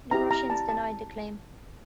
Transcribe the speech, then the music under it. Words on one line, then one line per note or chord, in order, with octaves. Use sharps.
The Russians denied the claim.
C4 E4 G4 A#5
A#5
A5
A5